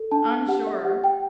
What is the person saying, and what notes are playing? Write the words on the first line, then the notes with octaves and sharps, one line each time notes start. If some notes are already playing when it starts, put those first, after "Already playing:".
I'm sure.
Already playing: A4
D4 A5
G4 F#5
E5
G4 F#5
G5